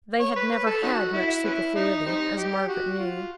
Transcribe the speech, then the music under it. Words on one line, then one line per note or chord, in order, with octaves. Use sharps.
They had never had much superfluity, as Margaret knew.
C#5
B4
B4
A4
C#4 D#4 F#4
E4
B3 C#4 E4
D#4
G3 C4 D#4
G4
F#4
F4